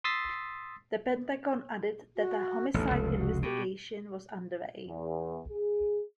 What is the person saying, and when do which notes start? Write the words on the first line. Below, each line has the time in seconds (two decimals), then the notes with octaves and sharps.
The Pentagon added that a homicide investigation was underway.
0.04 C6 D#6 E6 A6 B6 C7
2.16 F#4
2.74 A1 D2 A4
2.91 F1 C#2
3.18 F#4
3.43 B2 G4
4.88 E2
5.48 G#4